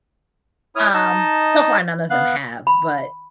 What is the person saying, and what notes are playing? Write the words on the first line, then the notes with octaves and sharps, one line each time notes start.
Um, so far, none of them have, but
E4 C#5 D#6 F6
D#4 D#5 A5
B3 F5 F#6
B5